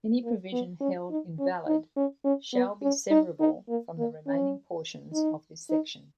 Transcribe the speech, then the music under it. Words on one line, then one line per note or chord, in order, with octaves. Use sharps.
Any provision held invalid shall be severable from the remaining portions of this section.
A#3
B3
C#4
D#4
C#4
D#4
C#4
C#4
B3
C#4
D#4
D#4
A#3
A#3
C#4
D#4
D#4